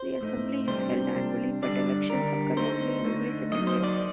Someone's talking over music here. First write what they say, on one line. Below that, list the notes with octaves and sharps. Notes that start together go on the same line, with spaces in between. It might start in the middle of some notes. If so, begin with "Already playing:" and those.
The assembly is held annually, but elections occur only in every second year.
Already playing: C5
A2 A3 D#4
C3 G3 D4 C5
C3 G3 D4
D3 G3 D4 D5
D3 G3 D4 A#4
D3 A3 D#4 C5
D3 A3 D#4
F#3 A#3 D#4 D#5
C5
D5